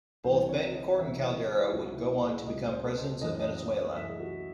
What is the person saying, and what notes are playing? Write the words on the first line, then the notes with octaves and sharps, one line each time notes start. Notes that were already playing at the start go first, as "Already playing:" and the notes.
Both Betancourt and Caldera would go on to become presidents of Venezuela.
C2 C3 E3 C5
C#5
D#5
C2 C3 E3 E5
D#5
G#4
E4
C#2 C#3 F#3 A3 F#4
E4
G#4
C#2 C#3 F#3 A3 D#5
C5
A4
C5
A4
F#2 E3 A3 C#4 D#5
D#5
D#5
F#2 E3 A3 C#4 E5
G#4
F#4